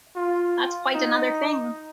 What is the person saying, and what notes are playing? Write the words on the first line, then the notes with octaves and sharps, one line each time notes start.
That's quite another thing!
F4
D#4